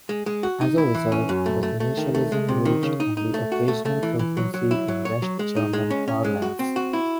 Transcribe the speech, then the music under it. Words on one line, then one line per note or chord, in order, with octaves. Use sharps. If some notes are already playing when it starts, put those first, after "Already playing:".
As a result, the initialism reached only occasional frequency in West German parlance.
G#3
G#3
F#4
D#4
E4
E3
C#4
F#2
A3
A3
A3
D#3
A3
G#3
C3
D#3
C#3
D#4
D#4
A3
F#4
A3
A3
E3
E3
F#3
F#3
E4
F#3
C#5
F#3
G#3
D#4
G#3
C#4
C#4
G#3
F#4
C4
F#4
E4